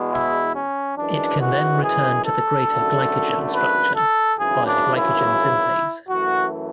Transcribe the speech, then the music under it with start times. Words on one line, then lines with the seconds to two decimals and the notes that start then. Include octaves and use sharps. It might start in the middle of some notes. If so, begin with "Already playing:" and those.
It can then return to the greater glycogen structure via glycogen synthase.
Already playing: E2 B2 G#3 B3
0.12 E4
0.54 C#4
0.97 F#2 E3 G#3 D4
1.39 F#4
1.82 G#4
2.25 A4
2.67 G#1 F#2 D3 A3
3.52 B4
3.95 A4
4.38 G#1 F#2 C#3 E3 G#4
4.66 D4
4.94 E4
6.08 F#2 E3 A3 F#4